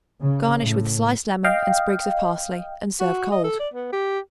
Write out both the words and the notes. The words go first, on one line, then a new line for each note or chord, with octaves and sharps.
Garnish with sliced lemon and sprigs of parsley and serve cold.
C#3
A2
D#5 F5 G5
F#4
D#5
A4
D5
B3
G4